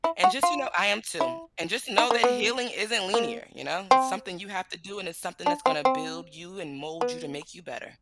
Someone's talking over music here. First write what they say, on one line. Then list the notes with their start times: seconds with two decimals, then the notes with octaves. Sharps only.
And just, you know, I am too. And just know that healing isn't linear, you know? It's something you have to do, and it's something that's gonna build you and mold you to make you better.
0.04 E4
0.24 F#4
0.43 F4
1.21 E4
1.98 D#4
2.11 A#3
2.24 B3
3.14 A#3
3.91 C4
5.46 D4
5.66 C4
5.85 C4
7.01 B3